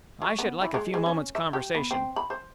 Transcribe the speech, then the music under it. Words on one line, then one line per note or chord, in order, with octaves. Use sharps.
"I should like a few moments' conversation."
F#3
B3
E3
G#3
G#3
C#4
E5
G4
B3
C4
B5
C5